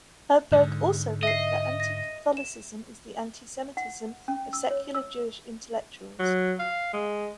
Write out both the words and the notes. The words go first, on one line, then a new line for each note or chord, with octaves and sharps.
Herberg also wrote that anti-Catholicism is the antisemitism of secular Jewish intellectuals.
G#2 D3
D#5 E5 C7
A#6
E7
F#5
C#4
E6
C#5
E6
F#3
F5
G#3